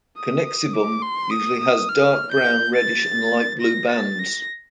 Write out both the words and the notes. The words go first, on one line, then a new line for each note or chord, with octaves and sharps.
Connexivum usually has dark brown, reddish and light blue bands.
D#6
D#6
D6
C6
D#6
D#6
F6
G6
A6
A#6
A6
A#6